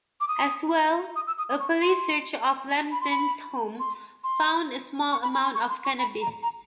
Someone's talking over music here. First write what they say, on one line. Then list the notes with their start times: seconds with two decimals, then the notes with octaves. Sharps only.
As well, a police search of Lambton's home found a small amount of cannabis.
0.21 D6
0.28 D#6
1.16 D#6
1.27 E6
1.38 D#6
1.49 D#6
1.60 C#6
1.82 C6
2.92 B5
3.01 C6
3.10 B5
3.80 C6
4.24 C6
5.12 C#6
5.23 B5
5.34 B5
5.44 C6
5.55 C#6
5.69 C6
5.85 C#6
5.99 B5
6.21 A#5
6.43 A#5